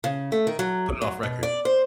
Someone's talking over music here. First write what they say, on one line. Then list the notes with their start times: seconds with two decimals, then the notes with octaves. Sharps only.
Put it off record."
0.04 C#3
0.32 A3
0.47 D#3
0.59 F#3
1.02 F#3
1.23 B2
1.43 D5
1.65 C5